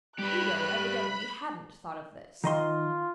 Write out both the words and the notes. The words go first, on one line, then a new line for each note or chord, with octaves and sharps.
Udo evidently hadn't thought of this.
G3 G4 B4 B5 F#6
D#3 F4 D#5 C6